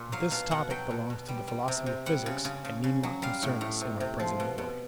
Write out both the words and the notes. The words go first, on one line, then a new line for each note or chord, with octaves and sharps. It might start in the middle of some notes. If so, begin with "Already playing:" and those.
But this topic belongs to the philosophy of physics, and need not concern us in our present inquiry.
Already playing: A#2
F#3 F5
B2 F5
B2 F#5
F#3 G5
B2
B2
G3
G3
C3
C3
G3 F#5
C#3
C#3
C#3
C#3
F#3
G3 F5
A2
A2
C3
C3
F3
B2
B2